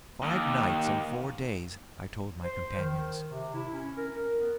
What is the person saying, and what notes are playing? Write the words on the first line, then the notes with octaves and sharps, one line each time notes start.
"Five nights and four days!" I told my companions.
D#2
C5
D#3
C3
E4
C#4
A#4
B3